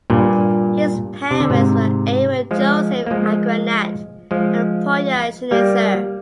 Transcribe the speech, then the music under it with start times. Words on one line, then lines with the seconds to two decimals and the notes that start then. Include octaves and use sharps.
His parents were Aaron Joseph Agranat and Polya Schnitzer.
0.10 G2 A#2
1.31 C3
1.40 D3
1.50 G#2 C3
2.51 F3 G#3
3.06 A#3
3.11 F3 G#3
4.31 F3 G#3
5.51 G3 A#3